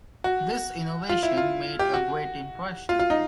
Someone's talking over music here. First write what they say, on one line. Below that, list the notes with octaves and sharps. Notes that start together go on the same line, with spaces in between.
This innovation made a great impression.
F#4
F4
E4
F4
G4
F#4
F4
F4
D#4